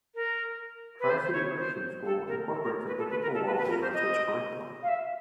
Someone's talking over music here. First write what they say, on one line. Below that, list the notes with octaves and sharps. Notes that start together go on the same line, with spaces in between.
Tri-City Christian School incorporates a biblical worldview into its curriculum.
A#4
B4
C5
C5
C#5
C5
A4
A#4
A4
A#4
B4
A4
B4
A#4
A4
B4
B4
A#4
C5
D#5
F5
E5